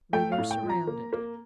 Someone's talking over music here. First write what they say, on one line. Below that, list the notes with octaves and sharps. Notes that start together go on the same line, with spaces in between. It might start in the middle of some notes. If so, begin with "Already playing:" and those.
We were surrounded.
A3 G5
F5
A2
G5
F3
A#5
A#3
A#3